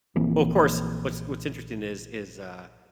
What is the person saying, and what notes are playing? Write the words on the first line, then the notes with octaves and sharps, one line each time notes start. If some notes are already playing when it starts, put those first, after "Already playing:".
Well, of course, what's what's interesting is is, uh,
A#1 E3 A#3 C4